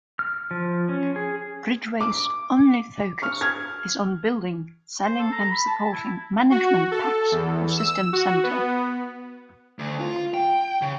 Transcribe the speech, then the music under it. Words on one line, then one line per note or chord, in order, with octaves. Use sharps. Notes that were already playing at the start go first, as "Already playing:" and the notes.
BridgeWays' only focus is on building, selling and supporting Management Packs for System Center.
F6
F3
C#4
G#4
D6
C#6 F6
F6 G#6
C5
A4
A#5
B5
A5
A5
E4
F#4
A4
E2
E6
F#4
B3
D2
F4
G5
C#3